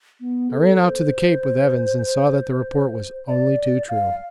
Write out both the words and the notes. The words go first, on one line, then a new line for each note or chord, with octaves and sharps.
I ran out to the Cape with Evans and saw that the report was only too true.
B3
A4
C5
D5
F5